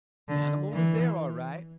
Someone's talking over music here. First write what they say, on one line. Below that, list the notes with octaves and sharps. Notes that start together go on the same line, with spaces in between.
The animal was there all right.
D3
E3